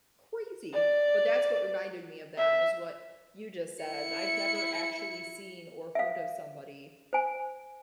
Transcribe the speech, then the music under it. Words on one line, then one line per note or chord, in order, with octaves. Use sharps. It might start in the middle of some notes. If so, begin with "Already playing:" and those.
crazy, but that's what reminded me of that is what you just said, I've never actually seen, or heard of somebody,
D5
E5
E4 C#7
E5 F5
C5 G#5